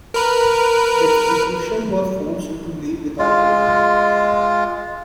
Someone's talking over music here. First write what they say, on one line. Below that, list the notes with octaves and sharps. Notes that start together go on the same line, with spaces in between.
The expedition was forced to leave without trading.
A#4 B4
G#3 F4